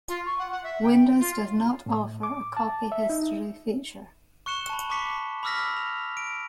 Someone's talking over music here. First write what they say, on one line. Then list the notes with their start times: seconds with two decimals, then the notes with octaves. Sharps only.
Windows does not offer a copy history feature.
0.08 F4
0.26 C#6
0.38 F#5
0.51 F#5
0.63 E5
0.83 G5
1.19 F4
1.86 A2
2.23 D6
2.57 A5
2.92 E5
3.09 D#4
4.46 C#6 F#6 C#7 E7 G7
4.69 A5 B5
4.90 A5 C#6 D6 B6 C#7
5.43 B5 D6 E6 F6 A#6 B6
5.77 F7
6.17 D7